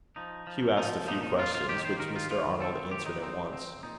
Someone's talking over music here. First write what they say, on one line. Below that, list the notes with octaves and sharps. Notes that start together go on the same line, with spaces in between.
Hugh asked a few questions, which Mr. Arnold answered at once.
F3 D#4
F3
F3 D#4
A#2 D#4
D#4
A#3 F4
F4
D#3 G4
C5
D#3 A#4
F4
D#3 F4
C4 A4
D#3 G4
D#4
C4 D#4
C4
A#2 D#4